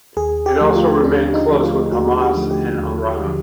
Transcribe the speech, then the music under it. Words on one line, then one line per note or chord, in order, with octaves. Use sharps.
It also remained close with Hamas and Iran.
D#2 G#4
G4
D3 F3 A3
F4
D#2 D4
D#4
D3 F3 A3
F4
D#2 F#4
G4
D3 F3 A3
G4
D#2
D3 F3